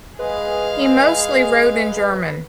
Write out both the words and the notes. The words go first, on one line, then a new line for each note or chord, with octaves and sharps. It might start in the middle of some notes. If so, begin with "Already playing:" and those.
He mostly wrote in German.
G#3 G#4 B4 F5